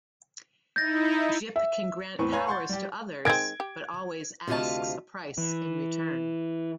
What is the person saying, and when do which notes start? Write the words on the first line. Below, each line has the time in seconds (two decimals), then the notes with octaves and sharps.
Jip can grant powers to others, but always asks a price in return.
0.76 D#4 E4 G6 A6 A#6
1.56 E5
2.19 E2 A2 C4 B4 C#6
2.32 B4 C#5 F5 G#5 A#5 G#6
2.48 F#5 C6 C#6 G6 A6
2.69 G3 G4
3.25 D#3 G#3 C4 G#6 D7
3.60 G4
4.47 D2 C3 F4 D#5 F5 A5
5.38 E3